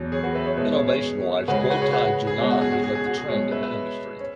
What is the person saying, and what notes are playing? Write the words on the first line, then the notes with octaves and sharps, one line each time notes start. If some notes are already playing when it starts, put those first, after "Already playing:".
Innovation-wise, Guotai Junan has led the trend in the industry.
Already playing: E2 B2 F#3 C#4
G#4 C#5
F#4 B4
B4 E5
G#4 C#5
B2 G#3 C#4 B4 E5
G#4 C#5
G#4 C#5
C#3 G#3 C#4 F#4 B4
G#4
F#4 B4
G#4 C#5
F#4 B4
F#4
G#4
B2 G#3 C#4
F#4
G#4
F#4
G#4
G#4
F#4
G#4
B2 G#3 C#4 G#4 C#5
B4 E5
B4 E5
C#4